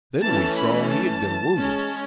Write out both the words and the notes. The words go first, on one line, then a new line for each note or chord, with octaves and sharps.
Then we saw he had been wounded.
E3 A3 C#4 A5
B5
A5
G#3 C#4